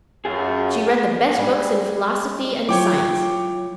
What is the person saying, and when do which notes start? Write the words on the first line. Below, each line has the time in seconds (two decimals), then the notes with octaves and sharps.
She read the best books in philosophy and science.
0.25 F#2 F4 G#4
1.38 G3 G#3
2.69 F#3 E4 F4 C#5 G5 D6